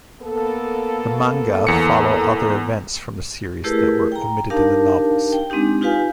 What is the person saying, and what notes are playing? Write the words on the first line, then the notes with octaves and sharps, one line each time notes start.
The manga follow other events from the series that were omitted in the novels.
A#3 B3 A4
E2 C#7
A3 E4 G4 G#4 A#4 B4
G5 A#5
D4 D#4 G4 A#4 F5 A5
G5
G#3 C4 D4 D#4 G4
D#4 F4 G4 B4 F5 G#5